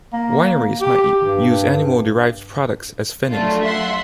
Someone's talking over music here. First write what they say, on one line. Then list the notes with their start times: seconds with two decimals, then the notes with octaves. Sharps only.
Wineries might use animal-derived products as finings.
0.14 A#3
0.82 G4
1.23 G2
3.31 F#3 A3 D4 F4
3.64 E5 F#5 C6